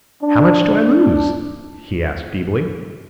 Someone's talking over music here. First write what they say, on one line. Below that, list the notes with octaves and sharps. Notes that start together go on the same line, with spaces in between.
'How much do I lose?' he asked feebly.
D4